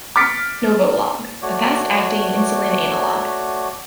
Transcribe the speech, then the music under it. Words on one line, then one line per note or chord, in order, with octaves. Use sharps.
NovoLog - a fast-acting insulin analog.
D6 F6 A6 B6 C#7 D7
A3 F#4 C#5 D5